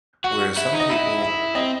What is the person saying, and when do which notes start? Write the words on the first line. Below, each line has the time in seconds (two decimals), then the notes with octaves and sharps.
where some people
0.24 F#4 F#5
0.58 E4
0.74 D#4
0.80 D#5
0.90 E4 E5
1.22 E5
1.55 C4 D#5